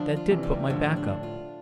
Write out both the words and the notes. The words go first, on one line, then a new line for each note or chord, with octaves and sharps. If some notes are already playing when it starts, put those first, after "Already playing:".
That did put my back up.
Already playing: D3 F3 D4
F4
C3 E3
G3
A2 D3 F3
D4
F4